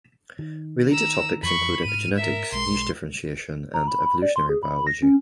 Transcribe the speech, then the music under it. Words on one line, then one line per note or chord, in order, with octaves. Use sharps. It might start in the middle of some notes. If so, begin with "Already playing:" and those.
Related topics include epigenetics, niche differentiation, and evolutionary biology.
D#3
A#5 E6
F2 E3 F3 B5 C#6
G#2 F6 D#7
A#4 E5
B1 G#3 C6
A#5
B5
B5
D5
C6
G#4
B5
A#6
C#4